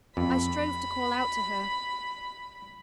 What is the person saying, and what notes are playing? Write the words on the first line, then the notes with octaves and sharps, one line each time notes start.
I strove to call out to her.
F2 B5